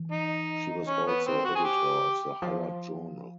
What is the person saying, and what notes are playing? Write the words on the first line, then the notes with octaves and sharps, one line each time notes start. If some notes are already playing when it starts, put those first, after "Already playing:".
She was also editor of the "Howard Journal".
Already playing: E3
D#4
C#4
B3
C4
F#4
G#4
G4
F3